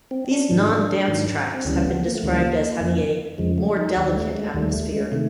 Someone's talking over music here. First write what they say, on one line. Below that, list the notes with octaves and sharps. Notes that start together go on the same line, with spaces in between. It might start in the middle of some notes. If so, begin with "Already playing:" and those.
These non-dance tracks have been described as having a "more delicate atmosphere".
C4
D4
G#2 D#3 F#3
G#2 D#3 F#3
C4
D2 C#3 E3 G3 C#4
B3
A#3
A3
D2 C#3 E3 G3 A#3
F2 C#3 F3
F2 C#3 F3 G#3
A3
D#4
D#2 D#3 G3 D4
A3
G#3
D#2 D#3 G3 A3
A3
G#3
C3 D#3 A3